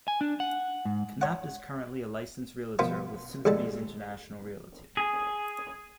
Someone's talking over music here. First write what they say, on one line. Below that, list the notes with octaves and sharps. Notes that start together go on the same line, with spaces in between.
Knapp is currently a licensed realtor with Sotheby's International Realty.
G#5
D4
F#5
G#2
C#5 F#5
B2 F3 A#3 B3 F5 C6
A1 B2 G3 G#3 A4 A5
G#4